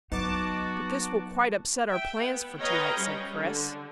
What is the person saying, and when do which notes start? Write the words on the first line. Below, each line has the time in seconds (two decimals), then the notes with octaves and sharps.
"But this will quite upset our plans for to-night," said Chris.
0.12 F#3 B3 D#4 F#4 A5 D6
1.88 E5 G5
2.20 B3
2.60 B4 C#5 D#5 F5 G5 A#5
2.94 G3 C#4
3.37 D3